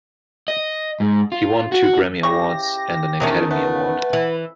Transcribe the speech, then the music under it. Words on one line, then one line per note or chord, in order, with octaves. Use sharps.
He won two Grammy Awards and an Academy Award.
D#5
G#2
F4
F#4
C#3 E3 G4 C#6 A#6
E2 D#3 F#3 A3 C#4
A3 B4 F#5
E3